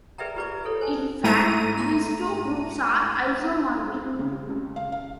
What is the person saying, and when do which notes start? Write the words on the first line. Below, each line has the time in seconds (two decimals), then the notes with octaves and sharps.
In fact, these two groups are isomorphic.
0.18 G#4 B4 D5 E5 G5 A#5
0.36 F4 G4 B4 D5 A#5 D6
0.65 G#4 A4 C#5
0.81 C5 G#5 A5
1.24 G#2 A3 E4 A#5 D#7
3.94 C4
4.19 C#3
4.32 G4
4.49 C#2
4.76 F5
4.92 F5